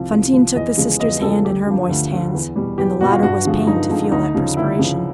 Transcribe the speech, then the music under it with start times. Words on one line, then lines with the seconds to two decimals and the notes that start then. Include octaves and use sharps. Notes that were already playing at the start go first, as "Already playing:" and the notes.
Fantine took the sister's hand in her moist hands, and the latter was pained to feel that perspiration.
Already playing: C2 C3 F3
0.11 C2
0.33 C3 F3
0.55 E2 D#5
0.78 C#3 F3 G#3
1.00 E2 D#5
1.22 C#3 F3 G#3 A4
1.45 D2 G4
1.67 D3 F3
1.89 D2
2.12 D3 F3
2.33 E2
2.56 B2 G3
2.78 E2 G4
3.01 B2 G3 F#4
3.11 F4
3.23 G2 F#4
3.45 D3 F3 G#3
3.67 G2 D#4
3.90 D3 F3 G#3
4.12 D2 D#4
4.35 C#3 F3
4.56 D2 E4
4.79 C#3 F3